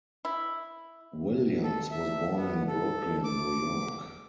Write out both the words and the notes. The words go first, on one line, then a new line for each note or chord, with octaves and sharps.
Williams was born in Brooklyn, New York.
E4
A4
E5
B3
A4
D6